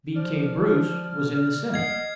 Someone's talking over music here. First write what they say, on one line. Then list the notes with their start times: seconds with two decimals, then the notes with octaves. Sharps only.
B.K. Bruce, was in the Senate.
0.15 F3 D5 F6
1.74 D#5 F#5 G#6 C7